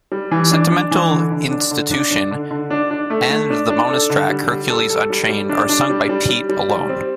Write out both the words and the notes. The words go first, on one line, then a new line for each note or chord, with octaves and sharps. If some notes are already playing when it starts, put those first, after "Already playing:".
"Sentimental Institution" and the bonus track "Hercules Unchained" are sung by Pete alone.
G3
E3
D4
D4
E3
D3
D3
D4
D3
D4
D4
D3
D3
D4
D4
A3
A3
D4
D4
A4
D3
G3
G3
A4
A4
G3
G3
D4
D4
G3
G3
G3
G3
G3
C4